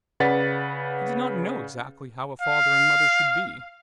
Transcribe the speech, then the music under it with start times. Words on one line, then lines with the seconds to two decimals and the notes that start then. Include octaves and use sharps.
He did not know exactly how a father and mother should be.
0.20 C#3 B4 D5 F#5 A6 B6
2.41 F5